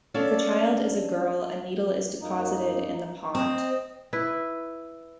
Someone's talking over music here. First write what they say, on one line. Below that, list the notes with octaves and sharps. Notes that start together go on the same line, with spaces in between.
If the child is a girl, a needle is deposited in the pot.
C#4 D4 A4 D5 F5
F#2 A#3 D#4
C4 D#5
E4 B4